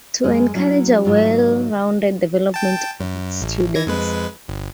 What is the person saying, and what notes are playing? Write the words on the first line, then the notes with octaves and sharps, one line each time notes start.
To encourage a well-rounded development of its students.
F#2 G#3
F#3 C#4 E4
G#2 F#3 F4
G5 A5
F#2
A1
E3 G#6 A#6
F2 G#3 B4
G1